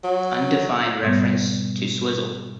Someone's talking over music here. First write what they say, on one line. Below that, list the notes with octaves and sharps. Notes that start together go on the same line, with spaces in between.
Undefined reference to 'swizzle'.
F#3
G#2 B2 G3 B3